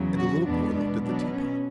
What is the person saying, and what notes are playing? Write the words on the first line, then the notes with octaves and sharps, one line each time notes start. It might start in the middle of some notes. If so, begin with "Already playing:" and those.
And the little boy looked at the tea-pot.
Already playing: E2 C#3 F#3
F#4
E2 B2 G#3 B3 D4
D4
B2 F#3 B3 D4
C#4